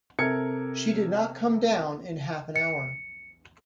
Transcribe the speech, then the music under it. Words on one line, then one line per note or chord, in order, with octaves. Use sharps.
She did not come down in half an hour.
C3 A4 A#4 G#6 C#7
C#7